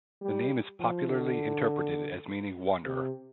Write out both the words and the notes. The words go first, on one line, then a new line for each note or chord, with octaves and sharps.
The name is popularly interpreted as meaning wanderer.
G3
F3
D3
C3